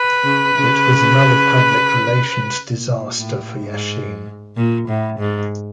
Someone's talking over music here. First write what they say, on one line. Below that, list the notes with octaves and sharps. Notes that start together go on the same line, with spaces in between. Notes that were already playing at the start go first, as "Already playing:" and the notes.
It was another public relations disaster for Yashin.
Already playing: B4
C#3
C#3
A#2
A2
G#2
A#2
A2
G#2